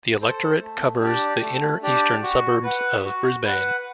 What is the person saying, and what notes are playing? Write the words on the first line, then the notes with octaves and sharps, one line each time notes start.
The electorate covers the inner eastern suburbs of Brisbane.
A4 C5
A3
D4 G4 D5
A3
D4 G4 D5
F#4
B4 F#5
F#4
B4 F#5